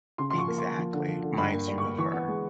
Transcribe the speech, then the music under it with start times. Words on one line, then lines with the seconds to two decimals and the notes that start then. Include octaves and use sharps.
Exactly, minds you of her.
0.18 C#3 C6
0.30 C6
0.33 F3 C#6
0.48 A#3
0.58 A#3 C6
0.78 F3
0.93 D3
1.08 F3
1.23 D3
1.38 G2 B5
1.53 A#3
1.68 G3
1.78 C#6
1.83 A#3
1.98 E3 C#6
2.13 B3
2.28 G#3